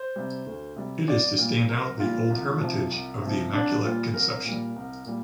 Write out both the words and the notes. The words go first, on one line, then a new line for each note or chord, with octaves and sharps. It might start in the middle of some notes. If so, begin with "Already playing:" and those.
It is to stand out the old hermitage of The Immaculate Conception.
Already playing: C5
C3 G3
D2
C3 G3
C2 D5
A#2 G3
C2 A#4
A#2 G3 F4
C2
C3 F3
C2
C3 F3
C2 D4
A#2 G3 F4
C2 A#4
A#2 G3
C2
A#2 G3